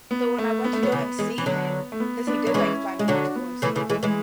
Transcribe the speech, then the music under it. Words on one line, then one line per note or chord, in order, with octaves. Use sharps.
So when I went to go and see him, 'cause he did, like, fly me out to go and see him.
B3
A3
B3
A3
F#3 B3
C#3 E3
E3 G#3
E3
D3 F#3
A3
B3
B3 D4
F#3
E3 G#3 C#4 E4
G#3
D3 F#3 D4 F#4
B3
C#3 E3 A3
C#3 E3
E3 G#3
E3 G#3